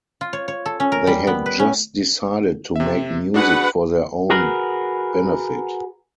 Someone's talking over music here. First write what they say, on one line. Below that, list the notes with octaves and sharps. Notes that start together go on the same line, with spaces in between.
They had just decided to make music for their own benefit.
F4
C#5
C#5
A4
C#4
A#4
G3
B3
B4
C#4
C3 E5
D4 F#4 G#4 B4 F#5
F#4 G#4 A#4 B4